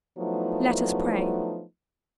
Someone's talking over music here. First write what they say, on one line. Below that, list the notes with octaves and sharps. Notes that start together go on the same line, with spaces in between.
"Let us pray."
F3 F#3 A3 B3 D#4 E4